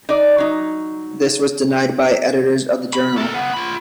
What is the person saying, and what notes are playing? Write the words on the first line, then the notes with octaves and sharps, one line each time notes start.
This was denied by editors of the journal.
D#4 D5
F#3 D#4
B5
A4 A#4
C#3 B3
F4 B5